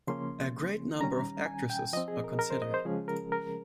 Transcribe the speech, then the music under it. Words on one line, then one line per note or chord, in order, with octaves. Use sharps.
A great number of actresses were considered.
C#3 F3 A#3 C#4 C6
D#3 G3 C#4 A#5
G#5
G5
F3 C4 D#5
G#4
A#4
A#4
C5
D#5
C5
C#3 F3 G#3 C#4 G#4
A#4
A#4